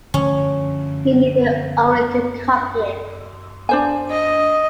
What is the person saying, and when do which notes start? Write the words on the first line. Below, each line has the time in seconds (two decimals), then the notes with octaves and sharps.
He needed only to copy it.
0.14 D3 F3 A3 C#4
3.69 D4 C5 G#5
4.11 D#5